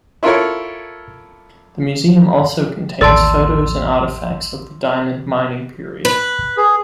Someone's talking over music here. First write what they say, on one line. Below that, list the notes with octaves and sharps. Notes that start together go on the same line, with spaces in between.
The museum also contains photos and artifacts of the diamond mining period.
E4 F4 A4 A#4 C#5
A1 D#2 A2 D5 A5 C6 E6 A6
B4
G#4